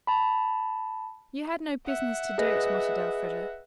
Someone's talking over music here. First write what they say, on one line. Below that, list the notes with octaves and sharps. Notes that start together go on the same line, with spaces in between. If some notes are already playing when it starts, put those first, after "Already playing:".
"You had no business to do it," muttered Elfreda.
A5 B5
E5 F#5
G#4 B4 D#5